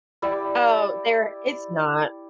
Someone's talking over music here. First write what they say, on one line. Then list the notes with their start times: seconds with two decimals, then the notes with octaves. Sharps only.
Oh, there it's not.
0.22 E4 G4 D5